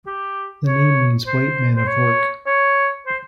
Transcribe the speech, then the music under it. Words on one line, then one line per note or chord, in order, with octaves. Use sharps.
The name means white man of work.
G4
C#5
C5
C5
C#5
C#5
C5